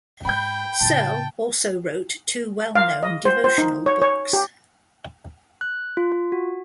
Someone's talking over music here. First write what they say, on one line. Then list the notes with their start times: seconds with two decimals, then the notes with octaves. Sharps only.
Serle also wrote two well-known devotional books.
0.25 G#2 G#3 G5 B5 G6
0.81 A2 C#3 A5
2.75 F5
3.03 D#5
3.25 C5
3.44 C5
3.58 D#4
3.86 C#5
4.02 C#5
4.33 G4
5.61 F#6
5.97 F4
6.12 F4
6.32 F#4